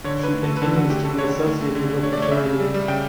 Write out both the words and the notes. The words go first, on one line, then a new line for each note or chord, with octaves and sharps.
She continues to be associated with the charity.
D3 C#5
D3 B4
A3
A4
A3
B4
D3 A4
D3 F#4
A3 G4
A3 A4
D3 C#5
D3
A3
A3
D3
D3
A3 C#5
D5
A3 C#5
C#3 E5
C#3
G3
G3
C#3 G5